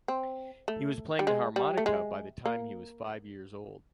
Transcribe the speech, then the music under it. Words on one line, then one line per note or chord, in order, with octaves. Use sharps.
He was playing the harmonica by the time he was five years old.
C4
A3
G3
G#3
G3
A3
G#3
A#3